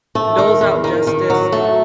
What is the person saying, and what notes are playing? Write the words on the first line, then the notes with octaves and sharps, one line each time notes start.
doles out justice,
A3
D#3
E2
D#3
D#3
F#3
A3